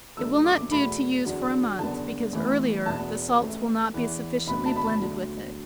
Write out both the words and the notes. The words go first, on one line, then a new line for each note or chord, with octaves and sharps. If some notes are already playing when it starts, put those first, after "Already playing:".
It will not do to use for a month, because earlier, the salts will not be sufficiently blended with it.
F#2 D3 A3 E6
D6
E2 B2 A3 B5
E2 D3 F#3
F#1 E2 D3 B3 A5
A1 A2 E3 B3
E1 E2 B2 B3 A5
A1 A2 A3
E2 E3 B3
E1 D2 D3 F#3 B3 B5
A5
B5
A5
D2 D3 F#3